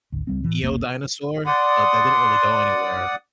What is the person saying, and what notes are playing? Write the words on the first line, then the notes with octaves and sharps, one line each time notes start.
neo-dinosaur, but that didn't really go anywhere,
G#1 D2
C#2 G3 C4
A2 E3
E1 B1 A#3
D5 F#5 C6 D#6